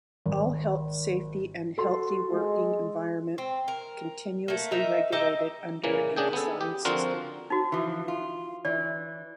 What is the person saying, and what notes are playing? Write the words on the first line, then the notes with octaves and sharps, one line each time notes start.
All health safety and healthy working environment continuously regulated under a designed system.
G#1
F#4 A4 C6
G#3
C4
A#4
A3 A#3
D#4 A#4 E5
D#4 G4 D#5 E5
A#2 C#3 E3 A#3
C#3 D4 G#4 G5
B3 G#4 A4
G4
D3 F3 C4 F4 F#4 A#4
D#4 F#4
E3 F3
F4
E3 D5